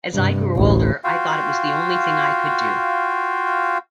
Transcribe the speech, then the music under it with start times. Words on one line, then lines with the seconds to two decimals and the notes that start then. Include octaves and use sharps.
As I grew older, I thought it was the only thing I could do.
0.13 G2 C3
0.55 A1 D2
1.04 F4 F#4 F5 G5